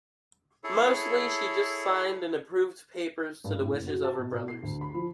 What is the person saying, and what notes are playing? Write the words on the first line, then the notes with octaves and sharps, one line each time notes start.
Mostly she just signed and approved papers to the wishes of her brothers.
E4 G#4 A4 C#5
G2
A2
F#1
F#4
A5
B2
B2
C7
D2
B5
F3